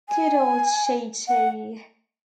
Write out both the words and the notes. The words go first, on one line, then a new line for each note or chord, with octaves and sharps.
Good old Chee-Chee!
G#5
F#5